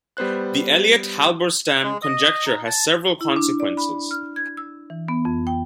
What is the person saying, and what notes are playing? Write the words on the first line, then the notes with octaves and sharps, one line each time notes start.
The Elliott-Halberstam conjecture has several consequences.
G3 B3 C5 F#6
G#3
D#5
D#4
A5
E4
D4
D5
B5
F6
G#6
E6
E3
B3
F2
G5